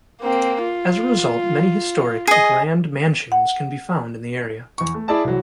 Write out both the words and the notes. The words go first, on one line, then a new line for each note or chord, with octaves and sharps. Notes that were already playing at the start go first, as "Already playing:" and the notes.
As a result, many historic, grand mansions can be found in the area.
A#3 C4
F4
G#4 D#5
F#5
E2 C#6
A3
E4 G#4 D5 E5 A5
C2 E3 F#3